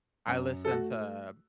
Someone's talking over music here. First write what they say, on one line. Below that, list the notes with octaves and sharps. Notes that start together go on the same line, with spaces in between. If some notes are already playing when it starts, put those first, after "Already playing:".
I listen to
F#2
A4
A3 F#4